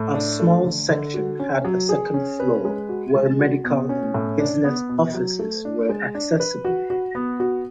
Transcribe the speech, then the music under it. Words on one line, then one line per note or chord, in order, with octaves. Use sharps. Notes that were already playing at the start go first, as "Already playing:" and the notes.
A small section had a second floor where medical and business offices were accessible.
Already playing: A2
D4
A3
D3
D3
F#4
C#4
F#3
G#4
C#4
B4
G#3
F#4
G#3
F#4
B2
C#4
A2
D4
B3
B2
F#3
A3
D4
G#3
D4
B4
F#4
F#4
B3
F#4